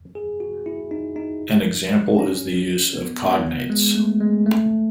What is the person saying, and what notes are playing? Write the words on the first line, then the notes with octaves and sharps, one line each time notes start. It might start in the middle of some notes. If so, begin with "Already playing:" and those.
An example is the use of cognates.
G#4
F#4
E4
D#4
D#4
C#4
B3
B3
G#3
A3
G#3
A3